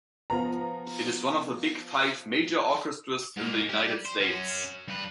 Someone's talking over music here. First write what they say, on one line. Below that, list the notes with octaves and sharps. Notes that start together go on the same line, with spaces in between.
It is one of the "Big Five" major orchestras in the United States.
F3 B3 A#5
G#2 A#3
G4 D5
C5
C#4 F#4
G2 B4